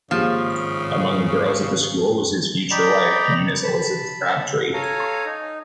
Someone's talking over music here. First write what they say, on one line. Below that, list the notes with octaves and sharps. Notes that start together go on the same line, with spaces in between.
Among the girls at the school was his future wife, Eunice Elizabeth Crabtree.
G#1 C#3 F3 A#3 G4 G#4
D5 D#5 G5 A#5 B5
A5 B5
A4 C#5 F5 G#5 A#5
D#4